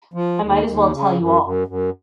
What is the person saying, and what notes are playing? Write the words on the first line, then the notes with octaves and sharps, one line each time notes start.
I might as well tell you all.
F3
D#2
D#2
C#3
F#2
F#2
F#2